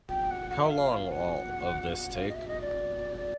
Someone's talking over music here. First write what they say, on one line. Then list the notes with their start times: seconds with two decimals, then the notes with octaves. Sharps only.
How long will all of this take?
0.09 G5
0.30 F#5
0.50 F#5
0.64 E5
0.71 F5
0.91 F5
1.11 F#5
1.89 F5
1.93 F#5
2.14 F5
2.28 D#5
2.34 E5
2.48 D#5
2.61 D5
3.16 D5